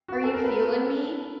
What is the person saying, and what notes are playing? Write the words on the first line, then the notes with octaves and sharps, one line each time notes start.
Are You Feelin' Me?
F#4
A4
A#4
B4